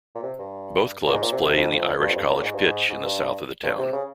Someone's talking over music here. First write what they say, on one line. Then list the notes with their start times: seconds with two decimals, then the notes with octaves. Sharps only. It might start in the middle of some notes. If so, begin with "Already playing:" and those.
Both clubs play in the Irish College pitch in the south of the town.
0.15 A#2
0.23 C3
0.39 G2
1.06 A#2
1.12 G#2
1.22 A#2
1.32 C3
1.42 C3
1.57 F2
1.71 F2
2.00 G2
2.09 F2
2.16 G2
2.31 A#2
2.42 G#2
2.54 G2
2.65 G#2
2.89 G#2
3.04 G2
3.63 G2
3.78 C3
3.93 C#3